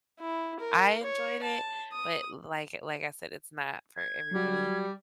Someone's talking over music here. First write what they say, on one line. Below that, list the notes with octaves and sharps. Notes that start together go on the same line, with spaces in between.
I enjoyed it, but l like like I said, it's not for everybody.
E4
A#4
C#5
A5
D#6
G#6
F#3 G3 F#4